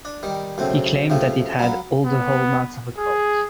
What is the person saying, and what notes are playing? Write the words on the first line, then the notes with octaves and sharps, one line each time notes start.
He claimed that it had "all the hallmarks of a cult".
D4
D#3 G3
B1 F#2 C#3 A3 C4
C3 F3 A3
F#3 C#4 F5 A#5 B5
B3
G#4